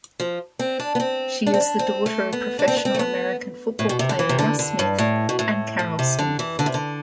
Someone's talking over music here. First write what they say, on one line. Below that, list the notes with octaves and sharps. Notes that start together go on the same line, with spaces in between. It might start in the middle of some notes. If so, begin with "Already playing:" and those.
She is the daughter of professional American football player Russ Smith and Carol Smith.
F3
C4
D4
B3
C4
D4
C4
D4
C4
A3
B3
D4
C4
B3
C4
A3
B3
A2
B2
C3
D3
E3
C3
D3
D3
G2
A2
B2
A2
A2
C3
D3
E3
D3
C3
D3